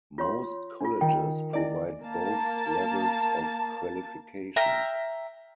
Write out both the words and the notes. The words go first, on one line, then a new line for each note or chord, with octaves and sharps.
Most colleges provide both levels of qualification.
F4 C#5 C6
D4 F4
D#3 G5
D4 E4 D5 D#5
A#3 A5
E5 G5 A#5 F6